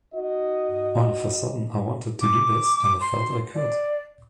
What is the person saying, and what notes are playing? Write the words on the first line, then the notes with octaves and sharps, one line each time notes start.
All of a sudden I wanted to do this, and I felt I could.
D#4 F#4 D#5
D6
C6
D5